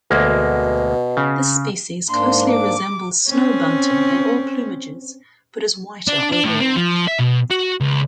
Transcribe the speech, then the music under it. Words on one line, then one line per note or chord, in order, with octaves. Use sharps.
This species closely resembles snow bunting in all plumages, but is whiter overall.
D2 B2 G#3 A#3
C#3
G#2 A#3 D4 C6
D6
C4 C#4
D4
D4
A2
C4
F3
E5
B2
F#4
C#2